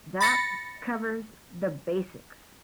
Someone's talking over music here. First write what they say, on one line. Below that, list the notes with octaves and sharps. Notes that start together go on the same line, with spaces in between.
That covers the basics.
B5 A6 A#6 C#7